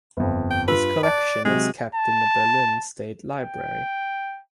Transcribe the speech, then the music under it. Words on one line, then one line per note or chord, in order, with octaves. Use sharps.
His collection is kept in the Berlin State Library.
G1 F2
G5
G2 F4 B4 E6
D5 A5 F#6
C3 F#3 G#3
A5
G5